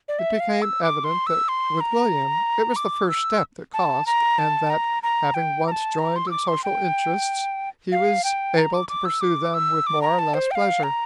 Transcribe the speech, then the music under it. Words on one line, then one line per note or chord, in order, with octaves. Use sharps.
It became evident that, with William, it was the first step that cost, and that, having once joined in social interests, he was able to pursue them with more or less pleasure.
D5
E5
F5
E6
D6
C6
E6
C6
A#5
D6
E6
A5
A#5
A5
A#5
A#5
G5
A#5
A5
A#5
C6
E6
D6
C6
G5
F5
G5
A#5
D6
D6
E6
D6
E6
D6
A#5
A5
C5
G5
F5
A#5